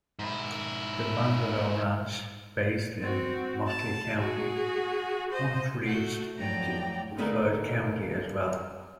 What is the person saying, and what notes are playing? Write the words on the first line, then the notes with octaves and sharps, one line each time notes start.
The Matador Ranch, based in Motley County, once reached into Floyd County as well.
G#2 E4
C4 F#4
A5
F#4 G#4
C5 D#5
A3 F#4 G6
F2 A2 F#3 D5 G5 A#5
D2 A3 A#3 D#4 G#4 B4